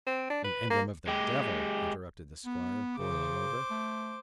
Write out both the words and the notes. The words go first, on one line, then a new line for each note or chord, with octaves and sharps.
"An emblem of the devil," interrupted the squire, boiling over.
C4
D4
B4
A#3
G#3 G4
B3
C#3 C5 D6
A3